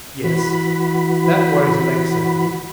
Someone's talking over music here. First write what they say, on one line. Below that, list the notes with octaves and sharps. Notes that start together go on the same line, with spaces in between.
Yes? That worries Alexey.
E3 F#4 B5